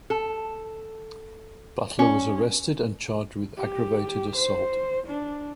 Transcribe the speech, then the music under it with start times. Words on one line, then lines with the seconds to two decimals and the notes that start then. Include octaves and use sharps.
Butler was arrested and charged with aggravated assault.
0.10 A4
1.99 C#4
3.57 G4
4.37 C5
5.08 D4